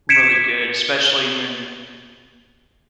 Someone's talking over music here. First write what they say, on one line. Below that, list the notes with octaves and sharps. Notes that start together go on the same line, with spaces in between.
really good, especially when,
G#6 B6 C#7 D7 E7